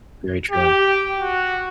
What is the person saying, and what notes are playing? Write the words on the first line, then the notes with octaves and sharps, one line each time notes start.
very true.
G4
F#4